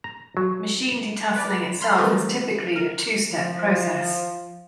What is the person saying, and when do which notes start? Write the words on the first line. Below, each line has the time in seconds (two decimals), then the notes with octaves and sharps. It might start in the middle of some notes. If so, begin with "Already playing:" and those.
Machine detasseling itself is typically a two step process.
0.04 A#5
0.37 F#3
1.36 B4 D5
1.81 B5 C6 F6 G6
1.98 D#3 E3 G3 A3 C4 D#4
2.76 A#4
3.31 F3